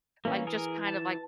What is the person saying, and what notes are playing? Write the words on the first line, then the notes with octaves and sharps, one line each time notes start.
Like, just kind of, like
E3 A#3 C#4
G#4 A#4
A5